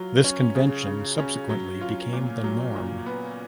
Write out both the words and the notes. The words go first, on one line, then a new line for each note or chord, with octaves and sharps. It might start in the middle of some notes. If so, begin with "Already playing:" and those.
This convention subsequently became the norm.
Already playing: F#3 F4
C#4
C#3
C#3
C#4
F#3
F4
A#2
F#3
A#2
B3